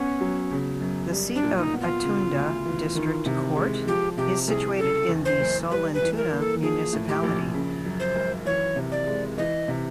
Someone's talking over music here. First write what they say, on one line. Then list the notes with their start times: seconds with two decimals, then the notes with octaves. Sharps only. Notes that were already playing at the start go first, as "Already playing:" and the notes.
The seat of Attunda district court is situated in Sollentuna Municipality.
Already playing: B3 C#4
0.21 F#3
0.51 C#3
0.81 F#2
1.12 G3
1.35 D4
1.43 A#2
1.58 D#4
1.74 B3
1.81 F4
2.04 C#3
2.35 D2
2.65 E3
2.95 D#3
3.26 C3
3.56 G#3
3.87 F3 G4
4.18 C3 G4
4.48 C2 G#4
4.79 C#3 A4
5.09 E2
5.25 C5
5.39 F#1
5.71 G3 B4
5.94 B4
6.02 E3
6.17 A#4
6.32 A#3
6.39 A4
6.63 F3 G#4
6.93 A2
7.08 G4
7.23 A#1
7.54 C#3
7.85 F#2
8.00 C5
8.15 G#1
8.45 E3 C#5
8.76 C3
8.92 D5
9.07 G#3
9.37 E3 D#5
9.68 C3